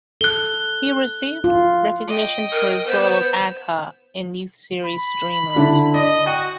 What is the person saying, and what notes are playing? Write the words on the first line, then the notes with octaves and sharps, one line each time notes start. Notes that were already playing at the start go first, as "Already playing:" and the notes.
He first received recognition for his role of Agha in Youth series "Dreamers".
A4 F#6 G7
F4
D#5 G5
A#4
B3 C5 E6
B5
D3 D4 E4
D5 D#5
F#4 G5 D#7